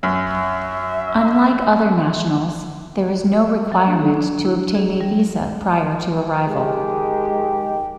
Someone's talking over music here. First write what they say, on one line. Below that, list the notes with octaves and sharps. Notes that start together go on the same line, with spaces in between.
Unlike other nationals, there is no requirement to obtain a visa prior to arrival.
F#2 E5
F#3
D4
A4
D4
E4
G#4
G3
D#3 G#3 G4